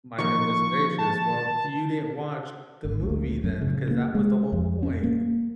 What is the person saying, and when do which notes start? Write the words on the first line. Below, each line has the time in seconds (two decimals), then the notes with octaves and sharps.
My goodness gracious. Well, you didn't watch the movie then, because that was the whole point.
0.18 D#3 F3 A#3 C#6
0.99 A5
2.85 G#1
3.02 D2
3.44 F#2
3.61 C#3
3.91 A#3
4.15 G#3
4.52 F2
4.83 C#4
5.04 A#3